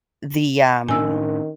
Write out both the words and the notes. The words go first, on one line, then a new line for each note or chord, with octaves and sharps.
the, um
A2 D#3 C#4 D4 G#5 E6